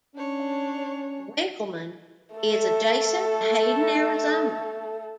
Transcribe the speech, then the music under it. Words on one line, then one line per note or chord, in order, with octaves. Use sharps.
Winkelman is adjacent to Hayden, Arizona.
C#4 D4 C#5
A3 A4